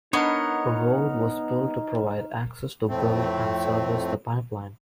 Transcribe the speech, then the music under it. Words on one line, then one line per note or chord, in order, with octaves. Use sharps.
A road was built to provide access to build and service the pipeline.
B3 D4 D#4 A#4 C#5 D#5 B5
F2 A2 A3 C4